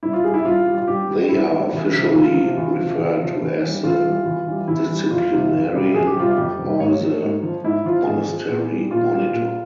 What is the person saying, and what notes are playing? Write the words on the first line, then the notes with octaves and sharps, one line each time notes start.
They are officially referred to as the disciplinarian or the monastery monitor.
G2 E4
F4
G3 G#4
E4
G2 F4
G3
F4
G2 G4
G3
G2 E4
G3
E2
C3 F3
E2 F4
F3
C3
E2
C3 F3
E2
C3 F3
E2
E3 G3
E2 F4
E3 G3
E2
E3 G3
E2 E4
E3 G3
F2 F4
C3 G3
F2
C3 G3
F2 G#4
G4
C3 G3 F4
G4
F2
C3 G3
G#2 C#5
F3
G#2
F3
G#2 E4
F3 F4
G#2 G#4
F3
A#2
G3
A#2 F4
G3
A#2